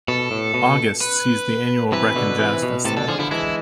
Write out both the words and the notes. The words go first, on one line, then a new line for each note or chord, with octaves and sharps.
August sees the annual Brecon Jazz Festival.
B2 A4
A2
B2
B4
C3 E3 B4
B2 D3
C3 E3
B2
A2 C3 A4
B2 D3 A4
D3 F3 G#4
D3 F3 E4
E3 G#3 E4